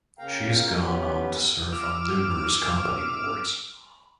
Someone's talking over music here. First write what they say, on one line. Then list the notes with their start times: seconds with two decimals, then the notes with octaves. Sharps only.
She has gone on to serve on numerous company boards.
0.19 C#3 A#3 F5 G5 A#5
0.79 B3 C#4 G4 B4
1.72 D6 E6 F6